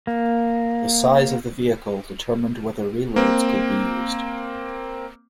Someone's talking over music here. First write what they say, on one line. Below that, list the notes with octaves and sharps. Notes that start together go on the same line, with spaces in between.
The size of the vehicle determined whether reloads could be used.
A#3
A#3 C4